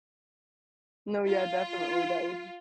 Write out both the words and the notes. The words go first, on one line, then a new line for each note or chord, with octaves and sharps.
No, yeah, definitely. That would
F4